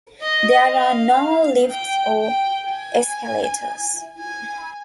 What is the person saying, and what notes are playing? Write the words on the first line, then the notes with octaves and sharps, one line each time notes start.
There are no lifts or escalators.
D#5
F5
G5
G5
G#5
G#5